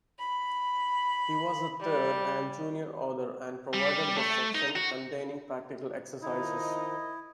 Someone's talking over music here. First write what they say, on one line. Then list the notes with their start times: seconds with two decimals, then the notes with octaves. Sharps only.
He was the third and junior author and provided the section containing practical exercises.
0.20 B5
1.80 G3
3.74 G3
4.17 A3
4.55 D#4
4.75 F#4
6.22 D#3 F3 D#4 E4 D#5